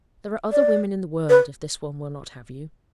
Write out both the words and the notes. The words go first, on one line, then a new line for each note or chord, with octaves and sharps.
'There are other women in the world, if this one will not have you.'
D5
B4